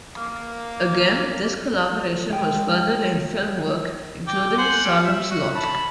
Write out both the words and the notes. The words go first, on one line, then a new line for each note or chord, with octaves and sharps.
Again, this collaboration was furthered in film work, including "Salem's Lot".
A#3
G#3 G5
G5 D6
C5 F#5 G#5
G3
E5
F#4
A5 B5